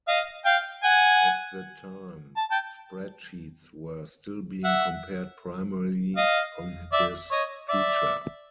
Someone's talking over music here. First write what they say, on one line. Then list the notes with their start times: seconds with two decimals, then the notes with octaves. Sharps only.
At the time spreadsheets were still being compared primarily on this feature.
0.08 D#5 F5
0.45 F5 G5
0.84 F#5 G#5
2.37 A5
2.51 G5 A5
4.64 E5 F#5
6.17 D#5 F5
6.93 D5 E5
7.31 C#5 D#5
7.69 D5 E5